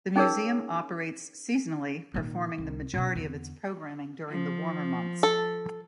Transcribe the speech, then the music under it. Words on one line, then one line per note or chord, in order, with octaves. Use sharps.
The Museum operates seasonally, performing the majority of its programming during the warmer months.
C#4 D#4 G#4 A#4 C#5 E6
A#2 D#3
C2
B2 C#4
E2 D3
F3
A4